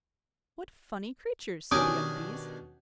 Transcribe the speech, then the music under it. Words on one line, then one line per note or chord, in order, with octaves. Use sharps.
"What funny creatures!" said the young Bees.
B2 D#3 C#4 D4 G4 G#5 D6 D#6